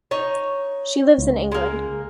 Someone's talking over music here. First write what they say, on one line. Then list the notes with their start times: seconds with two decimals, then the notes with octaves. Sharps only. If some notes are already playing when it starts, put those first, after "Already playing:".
She lives in England.
0.11 D#4 C#5
1.18 C#2
1.52 G#3 A#3